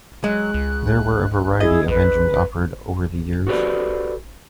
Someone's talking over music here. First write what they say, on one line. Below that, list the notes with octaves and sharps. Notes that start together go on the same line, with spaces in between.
There were a variety of engines offered over the years.
F#3 G#3 F#6
C#2
E4 G#4 D#5 G#6
A#1 B4
F#4 G4 A4 B4 C5 D5